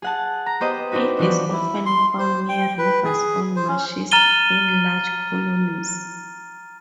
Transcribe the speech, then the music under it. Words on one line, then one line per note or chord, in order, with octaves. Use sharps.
It is often found near rivers or marshes in large colonies.
G#4 F#5 A5
A#5
B3 G4 C5 D#5
C4 D4 D#4 F#4 B4
E3 F3 F#4 B4 D5
E4
C6
C5
G5
B4
G#4
C5
C#4
A#5 F6 A6 D#7 G7